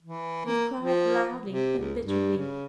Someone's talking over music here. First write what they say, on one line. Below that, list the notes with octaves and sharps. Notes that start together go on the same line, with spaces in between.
He cried loudly and bitterly.
E3
A#3
F3
C3
C#2
G2
C#3